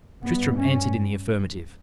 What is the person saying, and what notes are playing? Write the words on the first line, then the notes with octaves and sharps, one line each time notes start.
Tristram answered in the affirmative.
G2 B3
C#4